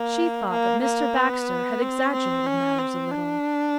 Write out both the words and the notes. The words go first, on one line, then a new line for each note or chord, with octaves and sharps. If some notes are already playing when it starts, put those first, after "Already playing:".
She thought that Mr. Baxter had exaggerated matters a little.
Already playing: A#3
A#3
A#3
B3
C4
C4
C#4
C4
D4